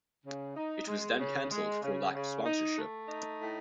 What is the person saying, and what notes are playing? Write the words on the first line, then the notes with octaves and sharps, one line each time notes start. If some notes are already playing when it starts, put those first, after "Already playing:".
It was then cancelled for lack of sponsorship.
C#3
D#4
G#3
C#3
G#3
C#3
C#3
D#4
A3
D#4
A2